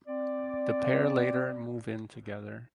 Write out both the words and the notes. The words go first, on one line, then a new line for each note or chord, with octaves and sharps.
The pair later move in together.
C4 D5